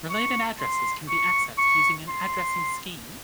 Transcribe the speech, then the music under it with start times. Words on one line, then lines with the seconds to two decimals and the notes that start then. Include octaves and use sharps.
Related addresses can be accessed using an "addressing scheme".
0.10 C#6
0.60 C6
1.09 C#6
1.59 C#6
2.09 C6